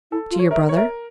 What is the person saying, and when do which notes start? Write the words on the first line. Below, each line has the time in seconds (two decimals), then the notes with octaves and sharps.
"To your brother?"
0.11 E4 A4
0.31 F4
0.39 C#5
0.51 A#4 E5
0.69 C#5
0.76 A#4 E5